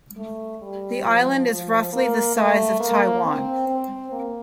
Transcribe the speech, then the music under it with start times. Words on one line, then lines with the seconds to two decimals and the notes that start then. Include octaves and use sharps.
The island is roughly the size of Taiwan.
0.17 A3
0.62 G3
1.05 F3
1.49 F3
1.93 A#3
2.36 A3
2.80 A#3
3.25 C4
3.67 C4
4.12 A#3